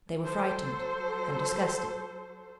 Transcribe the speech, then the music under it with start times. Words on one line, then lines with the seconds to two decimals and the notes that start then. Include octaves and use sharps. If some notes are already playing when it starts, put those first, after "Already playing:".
They were frightened and disgusted.
0.21 F#3 A4 C5